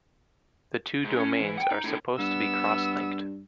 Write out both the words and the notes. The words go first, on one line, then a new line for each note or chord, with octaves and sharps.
The two domains are supposed to be cross-linked.
G#2
C#4
E3
F#5 G5
D#4
A2 D3
G2 B3 E6